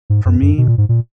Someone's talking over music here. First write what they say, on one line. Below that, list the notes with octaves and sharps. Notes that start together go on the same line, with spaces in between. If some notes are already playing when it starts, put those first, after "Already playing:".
for me,
G#2
F#2
F#2
B2
A#2
G#2
A#2